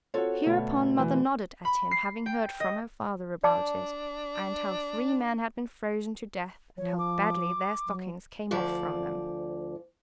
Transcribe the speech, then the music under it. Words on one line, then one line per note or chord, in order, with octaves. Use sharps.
Hereupon mother nodded at him, having heard from her father about it, and how three men had been frozen to death, and how badly their stockings came off from them.
C4 F4 F#4 A4 C#5
B2 D3 A3
E3
B5
C7
G5
D#5
D4 D5 A5 D6
F3 C#5
D6
F#3
D2 F3 D5